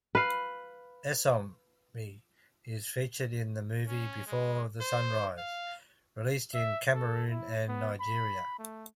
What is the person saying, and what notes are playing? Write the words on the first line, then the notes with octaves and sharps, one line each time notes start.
Essome is featured in the movie "Before the Sunrise", released in Cameroon and Nigeria.
B4 F5
C#4
G#3
C5
F5
E5
A4
E4
B3
B5
A3